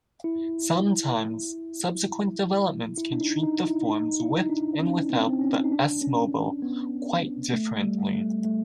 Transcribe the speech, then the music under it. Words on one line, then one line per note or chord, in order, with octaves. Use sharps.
Sometimes subsequent developments can treat the forms with and without the s-mobile quite differently.
E4
E4
D4
D#4
D#4
E4
D4
D#4
E4
D#4
D4
C#4
C4
C4
C#4
D#4
D4
C#4
B3
A3
G3
A3
A3